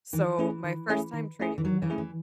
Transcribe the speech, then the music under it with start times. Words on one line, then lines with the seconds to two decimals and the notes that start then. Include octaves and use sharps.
So my first time training with them
0.13 D#3 E3
0.39 A3 C#4 E4 G#4
0.64 D#3
0.89 A3 C#4 E4 G#4
1.14 D#3
1.40 A3 C#4 E4 G#4
1.58 E3
1.64 D#3 F#3
1.82 E3
1.90 A3 C#4 E4 G#4
1.98 E3